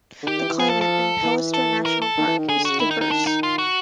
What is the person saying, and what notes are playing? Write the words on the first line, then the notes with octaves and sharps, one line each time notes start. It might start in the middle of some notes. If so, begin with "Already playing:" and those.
The climate in Pelister National Park is diverse.
D3
D#3 G4
E3
E3
F3 G#4
A4
A4
E3
A4
A#4
A4
D#3
E3
D#3
D3 G#4
D3
C#3 F#4
D#3 E4
D#4
D#4
D4
D#4
F4
F#4